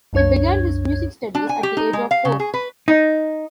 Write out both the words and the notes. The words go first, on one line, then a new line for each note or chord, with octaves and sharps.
He began his music studies at the age of four.
C2 F#2 D4 C#5 G#6
D4
G#5
G4
D#4
G#3
F5
C#3
G#4
B4
D#4